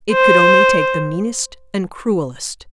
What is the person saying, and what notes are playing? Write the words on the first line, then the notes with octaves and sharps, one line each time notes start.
It could only take the meanest and cruellest.
C5